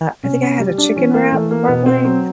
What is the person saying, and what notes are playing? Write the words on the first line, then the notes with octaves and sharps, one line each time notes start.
I think I had a chicken wrap, probably?
C3 C#4
C#4
G3
D4
E3 C#4
A#3
E3 A3
A#3
B2 B3
C4
F#3 C4